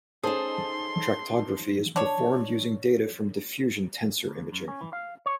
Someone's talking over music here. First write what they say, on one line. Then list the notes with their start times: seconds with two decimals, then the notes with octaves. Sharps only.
Tractography is performed using data from diffusion tensor imaging.
0.23 C#4 D#4 G#4 A4 C5 A5 C6
1.96 D4 C#5
4.27 D2
4.52 F#2
4.68 C#4
4.81 E3
4.93 F5
5.26 C#5